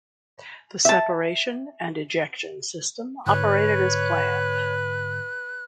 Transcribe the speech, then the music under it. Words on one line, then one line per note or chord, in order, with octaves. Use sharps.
The separation and ejection system operated as planned.
E5 A5
G#2 D3 B4 C#5 F#6